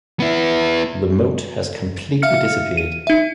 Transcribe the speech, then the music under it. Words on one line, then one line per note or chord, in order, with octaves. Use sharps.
The moat has completely disappeared.
B3 E4
E5 F5 F6 C#7
D#7
D#4 E5